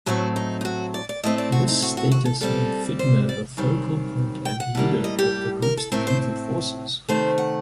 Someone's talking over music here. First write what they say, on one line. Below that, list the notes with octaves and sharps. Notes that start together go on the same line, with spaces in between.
This status made Figner the focal point and leader of the group's depleted forces.
A2 F#3 A3 C4 F#4
D#4
D#4
F#4
D5
D5
A2 A3 C4 D#5
D5
F#4
D#4
F#4
F#4
F#4
A4
A#2 G3 C4 A4
C5
D5
F#2 D#3 G3 C4
G5
F#5
A2 G3 A#3
D#5
G4
A#4
A4
A2 A3 C4 A#4
C5
C3 D#3 A3 C5
F#5